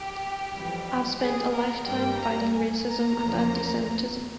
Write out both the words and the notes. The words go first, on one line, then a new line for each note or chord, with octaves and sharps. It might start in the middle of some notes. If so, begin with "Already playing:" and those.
I've spent a lifetime fighting racism and anti-Semitism.
Already playing: G4
F2 E3 G3
G#4
A#4
G2 G3 A#3 G5
A#5
G#5
A#5
E2 C#3 F3 A#3